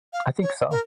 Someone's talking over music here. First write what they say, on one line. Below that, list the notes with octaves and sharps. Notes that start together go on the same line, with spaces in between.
I think so.
F5
C#5
A#4